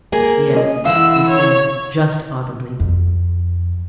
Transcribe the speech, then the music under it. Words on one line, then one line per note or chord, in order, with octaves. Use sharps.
"Yes," he said, just audibly.
A#3 G#4 A#4 G#5
C#4 D#5
D3 E3 E4 F5 F#5 E6
C#5
F2